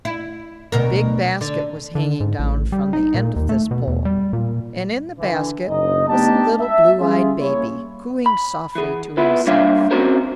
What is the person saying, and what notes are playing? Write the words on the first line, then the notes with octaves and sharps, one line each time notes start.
A big basket was hanging down from the end of this pole, and in the basket was a little blue-eyed baby, cooing softly to himself.
E4
D2 B2 A#4
D3
D3
G#2
A1
G3
D#4
A#2
D#2
A3
B2
E2
G3
A#2
D3 E3
F#1 D#4 D#5
A3 B3 D4 D#4 G4 A5
E5
G3 C#4 F4 G#4
A#3 E4 C#5
B5
E3 G#4
B3 E4 F4 B4
G3 A#3 D4 C#5 E5 F5
C4 C#4 F#4 A#4 C5 C#5